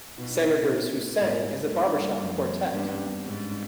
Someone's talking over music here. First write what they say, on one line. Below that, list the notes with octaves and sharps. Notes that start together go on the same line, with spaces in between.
Senators who sang as a barbershop quartet.
B2 D#4 F4
D4 E4
C4 D4
C4 D4
A#2 B3 C#4
A3 B3
G#2 G3 A3
A#3
G2 G3 A3
A#3
G3 A3
F#2 G#3 A#3
E3 F#3
A#3 C4
B3 C#4
G2 A#3 C4
B3 C#4
C4 D4
G#2 D4
C#4
C4 D4